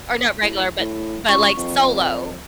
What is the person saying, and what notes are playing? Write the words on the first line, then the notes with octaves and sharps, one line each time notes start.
Or not regular, but but, like, solo?
A2
A2
C#2 C#6
F2